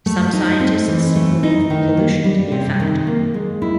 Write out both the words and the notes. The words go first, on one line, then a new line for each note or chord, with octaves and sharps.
Some scientists believe pollution to be a factor.
A3
D#4
C4
E3
A3
D#4
D#3
A#3
G3
C3
D#3
A#3
G#3
E4